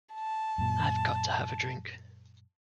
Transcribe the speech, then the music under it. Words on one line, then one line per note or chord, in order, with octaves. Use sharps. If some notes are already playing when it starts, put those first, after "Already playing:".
I've got to have a drink.
A5
F#2 A#2